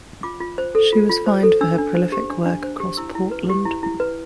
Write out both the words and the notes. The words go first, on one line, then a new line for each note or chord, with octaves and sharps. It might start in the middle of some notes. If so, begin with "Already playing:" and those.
She was fined for her prolific work across Portland.
F4 D6
F4
C5
A4
F4
F4
C5
A4
D4 E6
D4
C5
G4
D4
D4
C5
G4
E4 E6
E4
B4
G4
E4
E4
B4